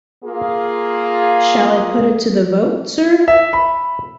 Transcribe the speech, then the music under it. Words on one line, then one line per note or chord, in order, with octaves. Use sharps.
Shall I put it to the vote, sir?
A#3 F4 G#4
E5
B5